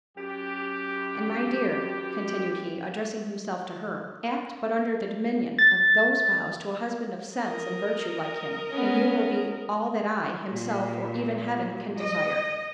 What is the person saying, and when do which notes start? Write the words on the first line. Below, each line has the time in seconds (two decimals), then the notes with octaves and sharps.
And my dear," continued he, addressing himself to her, "act but under the dominion of those vows, to a husband of sense and virtue, like him, and you will be all that I, himself, or even Heaven can desire.
0.17 F#2 G4
5.59 A6
7.36 A#4 D#5
8.70 B3 C#4
10.50 A#2
11.99 D#5